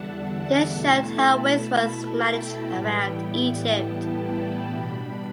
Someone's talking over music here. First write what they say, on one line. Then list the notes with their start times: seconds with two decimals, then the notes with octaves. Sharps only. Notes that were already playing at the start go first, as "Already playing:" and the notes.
This showed how waste was managed around Egypt.
Already playing: E2 D3 G3 D4 E5 F#5 A5
0.69 B2 A3 E4
1.19 B5
2.19 G5
2.69 A2 E3 G3 B3 E4
3.18 G5
3.68 A5
4.18 B5
4.68 B2 G3 D4